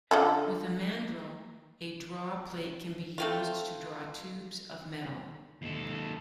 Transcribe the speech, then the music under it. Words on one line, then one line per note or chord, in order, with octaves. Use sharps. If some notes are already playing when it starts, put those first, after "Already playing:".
With a mandrel, a draw plate can be used to draw tubes of metal.
D3 F4 A4
A3 C4 F4
D#2 A4